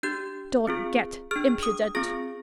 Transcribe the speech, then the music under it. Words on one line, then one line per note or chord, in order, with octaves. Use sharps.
"Don't get impudent."
D4 G4 G6
C4 F4 G#4
D4 G#4 F6
D#6
C4 F4 G#4 A#6